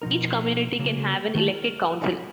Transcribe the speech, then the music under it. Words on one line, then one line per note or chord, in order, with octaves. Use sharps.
Each community can have an elected council.
B2 F3 D#4 A#4
C#3 F#3 A#3
D#3 A3 E4 A5
A#4